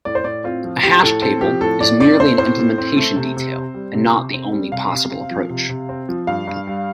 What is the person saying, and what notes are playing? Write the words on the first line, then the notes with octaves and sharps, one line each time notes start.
A hash table is merely an implementation detail and not the only possible approach.
A2 D5
C5
A2 D5
C4 F4
F3
A2 G4
A2 A4
C4 A4
F3 G4
A2 A4
A2 D5
C4 D5
A3 C5
A2 C5
A2
C4
A3
C3
C3
C4
G3
C3
C3
C4
G3
C3 F5
C3
C4
F3
C3
C3
C4
F3
G2 F5
G2
G3